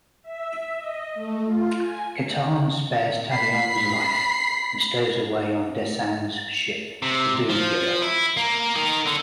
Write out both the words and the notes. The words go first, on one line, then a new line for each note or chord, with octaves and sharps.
Katarn spares Tavion's life and stows away on Desann's ship, the "Doomgiver".
E5
D#5
A3
F4
G#5
B5 B6 C7
C3
F3
E4
A#3
D#4 A#4
D3